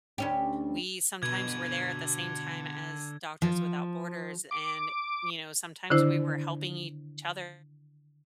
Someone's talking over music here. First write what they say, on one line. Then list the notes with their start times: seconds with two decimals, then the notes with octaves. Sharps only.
we sometimes were there at the same time as Doctors Without Borders and, you know, sometimes we were helping each other
0.18 D2 C#4 G4
1.23 B2 D3 B4 G#6
3.42 F3
4.51 D6
5.90 D3 D#3 D4 E4 C5